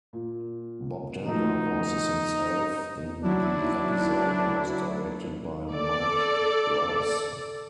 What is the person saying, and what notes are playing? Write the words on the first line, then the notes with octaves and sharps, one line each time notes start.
Bob Denver voices himself in the episode and was directed by Mike Reiss.
A#2
F3 F#3 A3 D#4
F#3 D4 E4
A4 D5